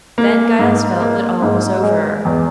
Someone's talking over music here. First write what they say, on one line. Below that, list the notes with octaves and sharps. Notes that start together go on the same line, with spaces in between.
Then Giles felt that all was over.
A#3
G#2
A#3
G#2
G#3
E2